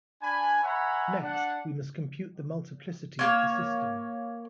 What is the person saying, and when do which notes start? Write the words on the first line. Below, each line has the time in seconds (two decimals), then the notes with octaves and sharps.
Next, we must compute the multiplicity of the system.
0.22 D4 G#5 B5
0.63 C#5 E5 F#5 G#5 A#5 B5
1.22 D4 F#5
3.19 A#3 C#5